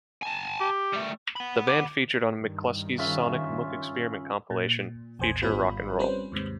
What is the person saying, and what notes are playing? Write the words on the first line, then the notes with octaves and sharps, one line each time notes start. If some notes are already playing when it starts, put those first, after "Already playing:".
The band featured on McClusky's Sonic Mook Experiment compilation "Future Rock and Roll".
G#5 A5
G4
G3 A3
F#5 B5
D6
G2 D#3
C#3 F4 E5
A#2
A#1 E2 C5 G#5
G#1 G3 B3 F4 C5 B5
G3 C4 C#4 B4 C5
D#2 G#2 C3